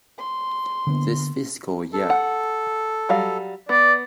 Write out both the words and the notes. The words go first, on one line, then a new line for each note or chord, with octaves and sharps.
This fiscal year.
C6
D3 A#3 B3
A4
F#5
F#3 G3 F5
B3 D5